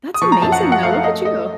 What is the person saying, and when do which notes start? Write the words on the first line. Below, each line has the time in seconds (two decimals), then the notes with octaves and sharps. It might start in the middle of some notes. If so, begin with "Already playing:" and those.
That's amazing, though. Look at you.
0.14 D#6
0.22 F3 C#6
0.32 A#5
0.42 F#2 A5
0.52 F#5
0.63 F3
0.72 F#5
0.83 A3 F5
0.94 F5
1.04 A3 D#5
1.25 A3 D#5